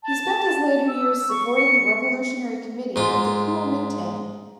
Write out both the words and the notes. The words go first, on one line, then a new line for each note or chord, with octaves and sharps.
He spent his later years supporting the Revolutionary Committee of the Kuomintang.
A5
E6
C#6
C#7
G#2 F4